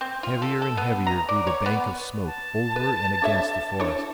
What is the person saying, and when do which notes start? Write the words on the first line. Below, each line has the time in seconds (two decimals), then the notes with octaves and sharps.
Heavier and heavier grew the bank of smoke over and against the forest.
0.01 C4
0.23 F4
0.42 A4
0.62 A4
0.77 B3
1.07 A#5
1.29 D5
1.47 C#5
1.66 B3
2.26 A5
2.76 B4
3.22 D4 C#5 E5
3.80 D4 E4 C#5